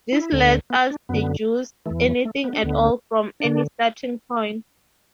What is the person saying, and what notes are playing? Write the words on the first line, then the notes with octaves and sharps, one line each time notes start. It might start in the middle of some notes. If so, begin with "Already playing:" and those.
This lets us deduce anything at all from any starting point.
E4
D2 D3
B3
D4
F#2 D3 B3
E2 E3 A3
F#3
A3
B3
D4
D2 D3 B3
D3 D4